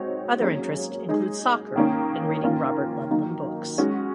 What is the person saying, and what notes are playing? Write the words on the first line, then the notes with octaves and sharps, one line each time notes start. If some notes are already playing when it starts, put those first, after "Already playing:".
Other interests include soccer and reading Robert Ludlum books.
Already playing: G#3 C4 D#4 F#4 C#5
F#3 A#3 C#4 G#4 C#5
G#3 D#4 G#4
D#3 A#3 C#4
D#3 A#3 C#4 F4 A#4
D#3 F#3 A#3 D#4
G#3 C#4 F#4